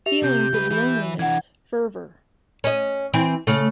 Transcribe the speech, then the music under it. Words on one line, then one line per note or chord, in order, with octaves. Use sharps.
Feelings of loneliness, fervor.
G4 E5 F7
C3 G6
C#2 B4
E3 E4
E3 D4 F#5 G#6
C#4 D#5
E3 C4
C#3 A3